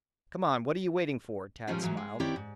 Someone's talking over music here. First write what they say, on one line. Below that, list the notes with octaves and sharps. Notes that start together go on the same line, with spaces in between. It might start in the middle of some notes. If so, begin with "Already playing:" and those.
"Come on, what are you waiting for?" Tad smiled.
A#2 D#3 F3 G3 G#3 C#4
G#2 E3 F#3
G#3
D#3 C4 E4 G4 C#5 D5
G#2